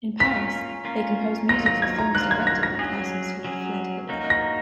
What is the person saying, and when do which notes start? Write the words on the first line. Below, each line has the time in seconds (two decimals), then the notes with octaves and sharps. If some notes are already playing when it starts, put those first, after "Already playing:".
In Paris, they composed music for films directed by persons who had fled Hitler.
0.19 A#3 C#4 F4 B6
0.85 A#3 C#4 F4
1.49 D#3 F#3 A#3 F4 A#6
1.66 A#6
1.82 G#6
1.99 A#5
2.15 D#3 F#3 A#3 F4 F#6
2.31 G#6
2.47 A#6
2.63 A#6
2.79 F#3 C#4 G#4
3.45 F#3 C#4 G#4
4.09 A#3 D#4 F#4
4.30 A#6